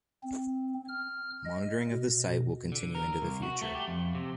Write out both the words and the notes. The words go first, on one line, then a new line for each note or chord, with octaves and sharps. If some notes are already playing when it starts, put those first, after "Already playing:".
Monitoring of the site will continue into the future.
C4
F6
D#5
B2
D3
A#4
C2
F#4
A3
G4
F2
C3